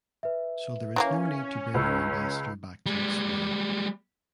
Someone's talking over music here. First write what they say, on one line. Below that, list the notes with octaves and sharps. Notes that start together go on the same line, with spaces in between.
So there is no need to bring our ambassador back to explain.
B4 E5
E3 F#3 A#3 C#4
C#2 B5 E6
G3 G#3